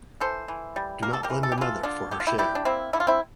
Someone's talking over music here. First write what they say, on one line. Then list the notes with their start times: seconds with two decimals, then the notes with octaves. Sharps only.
Do not blame the mother for her share..
0.20 E3 A4 C5
0.48 E3
0.76 G3
1.03 A#3 A#4
1.13 A4
1.23 G4 A#4
1.30 E3
1.43 A4
1.52 G4
1.58 E3 F4 A4
1.83 D3 D4 F4
2.11 D3 G4
2.20 F4
2.27 E4 G4
2.38 G3 E4 G4
2.55 D4
2.65 A#3 C4 E4
2.93 D3 E4
3.00 F4
3.07 C4 E4